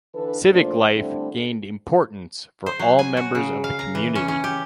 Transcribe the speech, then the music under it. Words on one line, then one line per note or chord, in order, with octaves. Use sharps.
Civic life gained importance for all members of the community.
D3 E3 D4 A4 B4
A#2 F3 A3 D4 C5 D5
D3 G3 A3 C4 E4 A4
C5
F#3
G#5
F#4
C#3
F5
A#5
E3
C#4
C#4
G4